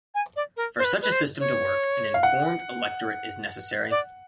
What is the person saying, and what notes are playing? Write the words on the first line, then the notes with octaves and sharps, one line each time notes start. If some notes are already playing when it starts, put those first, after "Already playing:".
For such a system to work an informed electorate is necessary.
G#5
D5
A#4
C5
B4
B4
C5
C#5
F5
F#5
D5